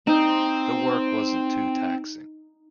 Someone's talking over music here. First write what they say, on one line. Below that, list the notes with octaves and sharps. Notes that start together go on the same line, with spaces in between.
The work wasn't too taxing.
C4 D#4